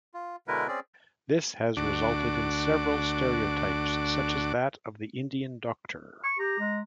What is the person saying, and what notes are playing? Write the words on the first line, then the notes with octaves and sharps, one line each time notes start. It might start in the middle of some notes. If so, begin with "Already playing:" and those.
This has resulted in several stereotypes such as that of the "Indian Doctor".
F4
B2 D3 G#3 E4 A#4 B4
C4 C#4 G#4 D5
D2 D4 F#4 D6
C#6
G4 A#5
G#3